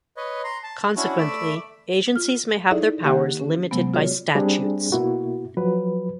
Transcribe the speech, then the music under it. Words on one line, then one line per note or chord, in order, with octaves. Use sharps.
Consequently, agencies may have their powers limited by statutes.
B4 C#5 D#5
A#5 C6
A5
C#4 D4 E4 F#4
A3 D5 E5 B5 D6 E6
F4 F6
D#4 E4 G#4 A4 D5 E5
D#3 A#3 G4 F#5 F#6
C#4
C3 F#3 G#3 B3
F4 F#4 G#4 C#5 D5
G3 C4 D4 G4 G#4
B2 A#3 E4 F#4
F3 F#3 B4